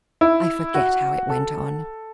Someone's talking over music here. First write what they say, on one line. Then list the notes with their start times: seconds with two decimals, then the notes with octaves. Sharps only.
I forget how it went on.
0.21 E4
0.74 F#4
1.29 A4